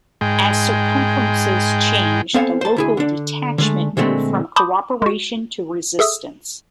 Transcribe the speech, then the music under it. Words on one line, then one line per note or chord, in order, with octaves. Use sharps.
As circumstances changed, the Local Detachment moved from cooperation to resistance.
G#2 G#3 G5
B3 C4 A4 C5 F5 G#5
C5 A5
D2 E4 G#4
D3 D4
D3 G#3 A3
A#2 D3 G#3 A3 C4
A5 B5 C6 D6 D#6 G6
G#3 F#4
G#4 A4 E5 D#6 E6